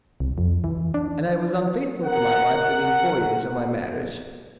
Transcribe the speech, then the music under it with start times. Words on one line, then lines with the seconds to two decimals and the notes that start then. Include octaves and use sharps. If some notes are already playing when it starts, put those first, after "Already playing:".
And I was unfaithful to my wife within four years of my marriage.
0.20 C2
0.38 F2
0.64 E3
0.94 D4
2.04 A#4 F#5